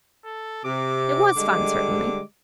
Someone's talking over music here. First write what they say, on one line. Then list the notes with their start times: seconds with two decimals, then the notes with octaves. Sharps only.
It was fun, certainly.
0.24 A4
0.65 C3 D6
1.37 D3 G3 G#3